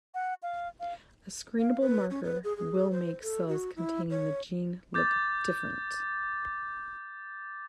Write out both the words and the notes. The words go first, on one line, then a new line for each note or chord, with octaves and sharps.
A screenable marker will make cells containing the gene look different.
F#5
F5
F5
F5
B4
C#4
B4
G#4
G#4
C5
A4
F#4
E4
C#5
D6 G6 A6